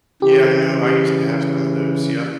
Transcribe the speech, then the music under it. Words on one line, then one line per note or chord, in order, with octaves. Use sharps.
Yeah, I know, I used to have some of those, yup.
C#3 E3 G4